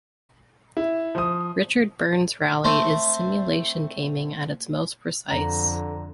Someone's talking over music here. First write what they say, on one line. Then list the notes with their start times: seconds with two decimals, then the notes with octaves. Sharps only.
Richard Burns Rally is simulation gaming at its most precise.
0.77 E4
1.15 F3 D#6
2.64 A3 C4 C5
5.31 F2 D3 A#5